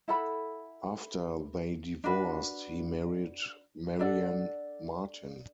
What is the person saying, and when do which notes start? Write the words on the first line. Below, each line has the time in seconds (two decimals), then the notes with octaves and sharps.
After they divorced, he married Marian Martin.
0.08 E4 A4 F#5 B5
2.04 D4 F#4 B4
3.99 D4 A4 D5 F#5